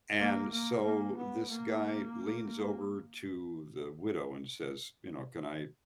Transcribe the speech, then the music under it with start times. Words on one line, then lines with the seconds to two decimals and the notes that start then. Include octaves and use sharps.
And so this guy leans over to the widow and says, you know, "Can I
0.19 A#3
0.52 A#3
0.85 A#3
1.17 B3
1.50 A#3
2.48 A#3